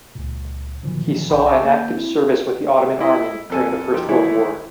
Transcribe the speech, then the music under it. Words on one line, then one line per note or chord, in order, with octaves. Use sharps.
He saw an active service with the Ottoman army during First World War.
C#2 A#2
A#2 D3 D#3 F3 F#3
B1 G5 B5
D#5 G#5 A5 C#6 D6 E6
A#3 G6
C4 E4
E4 D#5
F2 A4 G#5
F3 D#4 G4
D#3 E3 G#3 E4 C#5